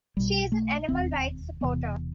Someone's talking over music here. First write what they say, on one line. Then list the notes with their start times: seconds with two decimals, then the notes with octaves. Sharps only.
She is an animal-rights supporter.
0.17 B1 B2 G3
0.52 A3
0.88 E1 D#2 C4
1.61 E1 E2 C3 B3